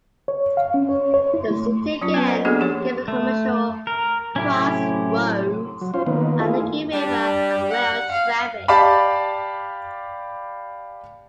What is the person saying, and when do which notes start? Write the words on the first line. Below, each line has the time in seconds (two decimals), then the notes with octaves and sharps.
The city again became a commercial crossroads, linking river and rail traffic.
0.28 C#5
0.57 F5
0.74 C#4
0.89 C#5
1.14 C#5
1.34 E4
1.51 A3
2.01 F#3 C#4 F4
2.14 B3 B4
2.27 C5 D5 D#5 F#5
2.45 A#3 B3 D4 F#4 G#4 A4
2.59 F3 A#3 G4 C#5
3.08 A3
3.87 A#4
4.36 A2 C3 F#3 C#4 E4 G4
5.81 F#3
5.94 C#4 F4 C5
6.06 D#3 A#3 B3
6.40 A3 A#3 E4 F4 G#4
6.93 G3 D4
7.70 F#5
8.12 F5
8.68 G4 D5 F5 A5 B5